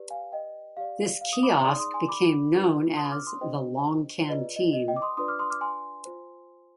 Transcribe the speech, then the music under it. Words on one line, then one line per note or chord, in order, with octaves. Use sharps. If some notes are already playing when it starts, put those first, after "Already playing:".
This kiosk became known as the 'Long Canteen'.
Already playing: G4 B4 D5
F5 G#5
D#5 G5
G4 D5 F5
F5
D#6
B5 D6
D#4 G#4 D5 C6 D#6
C6 D#6
G#5 C6
B5 D6
D4 F4 G#4 B4
C6 D#6
D6 F6
C6 D#6
D4 F4 G#4 C5 D#5 G5
F4 G#4 B4 D5 D#5
D#5
D#5
D#5 G5
D6
C6 D#6
D4 F4 B4 D5 C6 D#6
D6 F6
C6 D#6
D6 F6
G#5 C6
F4 C5